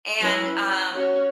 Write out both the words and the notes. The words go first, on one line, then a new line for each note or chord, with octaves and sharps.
and um
F#3 C#4 E4 B4
C#4 F#4 C#5